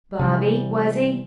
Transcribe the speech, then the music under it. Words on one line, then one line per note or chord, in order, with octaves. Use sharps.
"Bobby, was he?"
C3 E3 G3